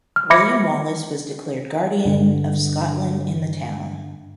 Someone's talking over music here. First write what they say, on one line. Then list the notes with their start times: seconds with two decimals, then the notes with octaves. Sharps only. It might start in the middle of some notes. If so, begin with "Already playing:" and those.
William Wallace was declared guardian of Scotland in the town.
0.16 F6
0.30 E5 B5 D6 G#6 A#6 C#7
2.05 G2 D3